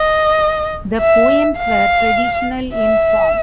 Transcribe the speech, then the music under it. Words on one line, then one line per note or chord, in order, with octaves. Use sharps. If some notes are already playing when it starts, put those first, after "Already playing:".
The poems were traditional in form.
Already playing: D#5
E5
F5
E5